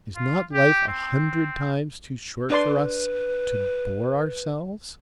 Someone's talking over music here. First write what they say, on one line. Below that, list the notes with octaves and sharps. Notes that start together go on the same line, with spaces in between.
Is not life a hundred times too short for us--to bore ourselves?
F4
G4
C4
D4 B4 D5 C6